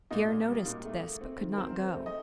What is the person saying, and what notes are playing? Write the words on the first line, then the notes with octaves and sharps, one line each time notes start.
Pierre noticed this but could not go.
A#2 D#5
A#2
G3
A#2
A3
A3
C4
D#3
A#4
C4 C5
C4
A3
D#5